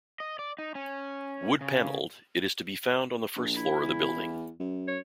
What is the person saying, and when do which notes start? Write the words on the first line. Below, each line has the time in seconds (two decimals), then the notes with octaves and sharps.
Wood panelled, it is to be found on the first floor of the building.
0.20 D#5
0.39 D5
0.59 D#4
0.75 C#4
1.61 C#3
3.36 A#1
3.57 E4
3.83 E2
4.60 F#2
4.88 C#5